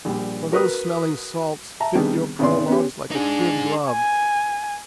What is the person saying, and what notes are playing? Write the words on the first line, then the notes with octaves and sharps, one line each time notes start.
For those smelling-salts fit your prologues like a kid glove.
A#1 G3
F#4 A#4 B4 D#6
E5 A5 A#5
C3 D#3 G3 B3 D4 G#4
G#1 C3 B3 C#4 D5 C6
B3 C#4 G4
D4 D#4 G#4
G#5